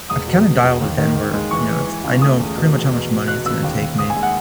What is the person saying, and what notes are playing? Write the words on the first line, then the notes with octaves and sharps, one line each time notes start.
I've kind of dialed it in where, you know, it's I know pretty much how much money it's going to take me,
E1 D#6
B2
E1
E1
D#2
D#3
D#3
G#3
E3 C#6
E3
E3
C#2
A3 D#6
E2
B2
E2
B2
B2
B2 F#6
C#2 E6
D#2
D#2
D#2 D#6
G#5
G#3
F#5